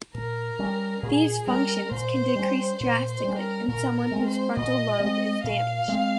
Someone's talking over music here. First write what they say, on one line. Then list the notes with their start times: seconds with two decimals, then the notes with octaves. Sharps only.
These functions can decrease drastically in someone whose frontal lobe is damaged.
0.14 A#2 A#4
0.59 G3 C#4
1.03 A#2 G#4
1.47 G3 C#4 A#4
1.91 A#2 C5
2.36 G3 C#4
2.79 A#2 C5
3.09 C5
3.24 G3 C#4
3.39 A#4
3.68 A#2 A#4
3.98 A#4
4.11 G#3 C4
4.26 C5
4.56 A#2 D#5
5.00 G#3 C4
5.44 A#2 F5
5.88 G#3 C4